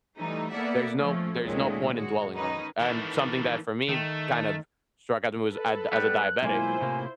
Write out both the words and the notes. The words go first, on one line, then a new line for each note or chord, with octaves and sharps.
There's no there's no point in dwelling on it. And something that for me kind of struck I do as I the as a diabetic,
E3 G3 A3 D#4
A#3 B3 A4 D5 E5 F#5
F3 A3 C#4
D2 A#2 D#3 G#3 A3 C#4
G#3 F#4
D#3 C#4 D#4 B4
D#3 E3 A3
D#3 A3
A4 B4
G3 B3 F#6
B1 G#3 A#3 E4 F4 C5 G#5
A2 C3 A#3